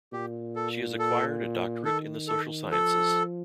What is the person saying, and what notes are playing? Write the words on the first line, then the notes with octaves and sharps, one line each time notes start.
She has acquired a doctorate in the social sciences.
A#2 G4
A4
A4
D#3 A4
A4
F3 A4